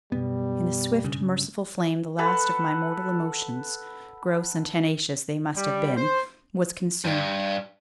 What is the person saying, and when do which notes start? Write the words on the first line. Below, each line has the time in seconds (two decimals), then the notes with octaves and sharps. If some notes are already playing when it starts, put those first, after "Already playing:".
In a swift, merciful flame the last of my mortal emotions--gross and tenacious they must have been--was consumed.
0.12 F#2 B2 G3 B3
1.04 G2 C#3
2.19 A4 B4 F#5
5.56 G3
5.97 C5
7.05 G2